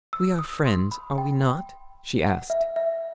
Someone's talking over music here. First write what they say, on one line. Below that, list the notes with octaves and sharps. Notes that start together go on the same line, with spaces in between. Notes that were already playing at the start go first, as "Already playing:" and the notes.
"We are friends; are we not?" she asked.
E6
D#6
C6
B5
G5
F#5
E5
E5